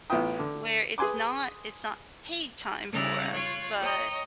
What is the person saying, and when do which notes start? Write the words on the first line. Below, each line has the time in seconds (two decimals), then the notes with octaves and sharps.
Where it's not it's not paid time for us, but,
0.10 A1 B3 F4 E5 G5 D#6
0.39 D3
0.98 G#4 B4 G#5 C6 D6
2.92 C#3 G3 E4 A#5 F#6 A6
3.31 F4 C#5 F#6
3.79 C#5 D#5 G5 A#5